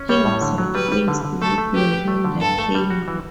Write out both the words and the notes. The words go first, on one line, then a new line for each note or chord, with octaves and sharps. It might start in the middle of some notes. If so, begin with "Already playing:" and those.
He was replaced with Melinda Kane.
Already playing: C#4
G3 C#5
A2
D3
F#3
G3 B4
G3
D3
D3
A3 A4
A3
G4 B4
B4
A3
D3
G2 A4
A3
G3
F#4
E3